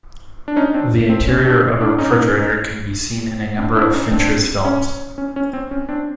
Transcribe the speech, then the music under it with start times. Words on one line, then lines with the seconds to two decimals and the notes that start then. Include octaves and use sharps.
The interior of a refrigerator can be seen in a number of Fincher's films.
0.48 D4
0.56 C#4 D#4
0.74 C4 D4
1.10 C4
1.27 C#4
1.45 C4 D4
1.81 D4 E4
1.98 C#4 D#4
3.58 C4 D4
3.76 D4 E4
3.94 C#4 D#4
4.11 C4 D4
4.65 C#4
5.18 C#4
5.36 C#4
5.53 C4
5.71 C#4
5.89 C4 D4